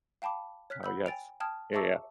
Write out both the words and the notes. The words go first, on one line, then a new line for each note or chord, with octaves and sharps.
Oh, yes. Yeah, yeah.
F5 G5 A5 B5 D6
C#5 F6 F#6 B6
F#5 B5 E6 G6
G5 G#5 A6 D7 F7
G5 A5 D#6 F6 G#6
E5 A5 A#5 C#6 D6 E6